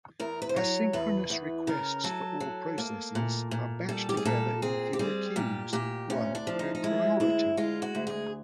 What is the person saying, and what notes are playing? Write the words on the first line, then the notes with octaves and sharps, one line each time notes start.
Asynchronous requests for all processes are batched together in fewer queues, one per priority.
E2 A#4
B4
C5
F#3 C#5
E2 B4
E2
C#3 A#4
F#3 A4
F#3
A#3
A#2
A#2
G3 A4
G4
G#4
A#2 A4
C4 G#4
G4
G3 G#4
A#2 G4
A#2 G4
D2 C#4
D4
F3
D#4
D#4
G#3 E4
D2 E4
G#3 F4
F#4
D2
G#4